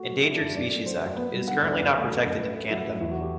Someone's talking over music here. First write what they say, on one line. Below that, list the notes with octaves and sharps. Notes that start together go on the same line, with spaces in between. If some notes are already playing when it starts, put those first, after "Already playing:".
Endangered Species Act, it is currently not protected in Canada.
Already playing: A3 F#4
F#3
D3 E4
D4
F#2
E4
F#2 D5
A3
F#3 C5
F#2
B3 B4
G3
D3 F#5
D2 D5
A4
F#2 B4
A3
F#3 A4
F#2
A2 B4
A3
F#3 E4
A2
E2 E4
F#4
F#3 G4